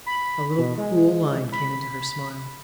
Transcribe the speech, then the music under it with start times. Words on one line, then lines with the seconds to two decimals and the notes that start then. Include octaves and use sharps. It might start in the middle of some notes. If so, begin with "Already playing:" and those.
A little cruel line came into her smile.
0.06 B5
0.58 B2
0.78 G#3
1.52 B5